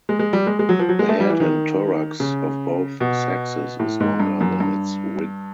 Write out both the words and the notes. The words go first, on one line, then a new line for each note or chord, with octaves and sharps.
The head and thorax of both sexes is longer than its width.
G#3
G#3
G3
G#3
G#3
F#3
F3
F#3
G#3
A3
G3
E3
D#3
C#3
B2
A2
G#2
G2
F#2
G2